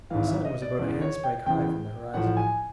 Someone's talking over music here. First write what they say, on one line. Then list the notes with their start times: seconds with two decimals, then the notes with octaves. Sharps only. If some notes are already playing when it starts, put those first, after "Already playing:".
The sun was about a handspike high from the horizon.
0.10 G#1 G#2 E3 F5
0.27 E5
0.45 D#5
0.62 D5
0.78 E2 C#3 E3 D5
1.01 C#5
1.24 G5
1.46 E2 C#3 E3 G5
2.14 A1 A2 F3 F#5
2.37 G#5